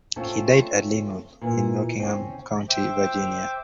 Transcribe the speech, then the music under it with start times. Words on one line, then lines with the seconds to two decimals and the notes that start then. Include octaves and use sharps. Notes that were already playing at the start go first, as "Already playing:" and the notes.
He died at Lynnwood in Rockingham County, Virginia.
0.16 A3 C4 C#4 F4
1.41 A#2 E3
2.00 C4 C#4
2.69 C5 E5 G5 D6